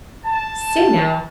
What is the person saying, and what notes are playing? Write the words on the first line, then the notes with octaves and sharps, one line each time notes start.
"Say, now."
A5